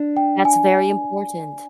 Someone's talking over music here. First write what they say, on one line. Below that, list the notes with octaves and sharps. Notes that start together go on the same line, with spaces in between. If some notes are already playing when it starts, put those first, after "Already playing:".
That's very important.
Already playing: D4
G5
G#5